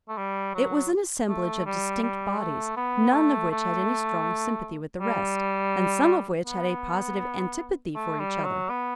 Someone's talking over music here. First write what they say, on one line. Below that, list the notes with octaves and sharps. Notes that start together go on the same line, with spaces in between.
It was an assemblage of distinct bodies, none of which had any strong sympathy with the rest, and some of which had a positive antipathy for each other.
A3
G3
F#3
A3
G3
G3
A3
B3
A3
A3
G3
B3
A3
G3
F#3
B3